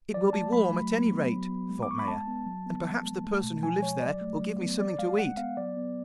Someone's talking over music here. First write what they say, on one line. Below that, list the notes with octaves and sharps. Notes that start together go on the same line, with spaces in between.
'It will be warm, at any rate,' thought Maia, 'and perhaps the person who lives there will give me something to eat.
F#3 D5
A3 A5
F#3 B5
A3
F#3
B3
F#3
B3
G#3
D6
B3 C#6
B5
G#3 A5
B3
F#3
B3
F3
G#3
A3
B2
F3 G#5
G#3 C#5
F#3 D5
A3
F#3
B3
F3 D5
G#3 F5
G#3 F#5
B3 F5
F#3 D5
B3